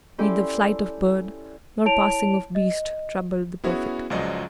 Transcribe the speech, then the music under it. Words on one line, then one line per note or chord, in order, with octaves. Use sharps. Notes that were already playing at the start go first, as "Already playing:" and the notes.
Neither flight of bird nor passing of beast troubled the perfect calm.
C#4 E4 G4 A4 C5 D5
E4 C#5 A5 D7 F7
D#5
B3 C#4 E4 F#4 G#4 C#5
C#2 F#2 F3 F#3 D5 D#5